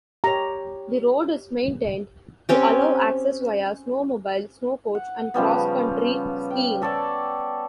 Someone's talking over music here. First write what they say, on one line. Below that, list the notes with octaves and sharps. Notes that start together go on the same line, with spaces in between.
The road is maintained to allow access via snowmobile, snow coach, and cross-country skiing.
G4 C#5 A#5
C4 C#4 G4
F#5
C#3 F3 G3 B3
G5
G4 A4 C#5 D5